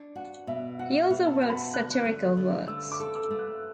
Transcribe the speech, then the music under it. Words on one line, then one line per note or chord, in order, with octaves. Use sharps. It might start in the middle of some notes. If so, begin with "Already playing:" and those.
He also wrote satirical works.
Already playing: D4
F#4 F#5
B2 E5
F#4 F#5
E5
B2
A5
F#4
B5
D3 F#6
A3
D3
A3 E6
D6
A4
E6
A3
F#6